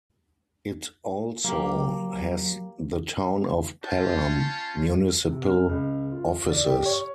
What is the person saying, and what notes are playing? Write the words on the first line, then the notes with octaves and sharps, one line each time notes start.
It also has the Town of Pelham Municipal offices.
F#3 A#3 G4
C#4 F4 A5 G6
C3
F6
C#2
F4
D5
G4
C#5